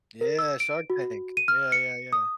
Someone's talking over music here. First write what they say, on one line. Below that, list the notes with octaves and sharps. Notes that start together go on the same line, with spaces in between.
Yeah, Shark Tank. Yeah, yeah, yeah.
A#4
E6
D7
F#4
D#7
F6
C#7
D#6